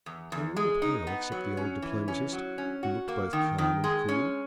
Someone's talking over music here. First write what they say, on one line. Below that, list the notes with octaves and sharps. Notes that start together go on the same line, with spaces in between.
They were all pale except the old diplomatist, who looked both calm and cool.
E2
E2
G#3
D#4
B3
F#3
C#4
E3
C#4
F#3
C#4
F#4
A#3
D#3
D#3
G#3
C#4